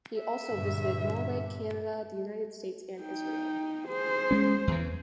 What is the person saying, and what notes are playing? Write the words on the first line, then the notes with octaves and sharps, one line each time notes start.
He also visited Norway, Canada, the United States and Israel.
E5
G2 A#2 D3
D#4 G5
G#4 C5
G#3 C#4
E2 E3